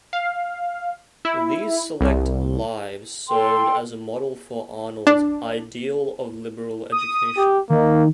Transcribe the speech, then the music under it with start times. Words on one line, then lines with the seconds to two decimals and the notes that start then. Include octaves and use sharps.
These select "Lives" served as a model for Arnold's "ideal of liberal education".
0.13 F5
1.25 E4
2.01 C2
3.28 A4 G5 C6
5.07 D4
6.92 D#6
7.37 G4
7.70 D#3 A#3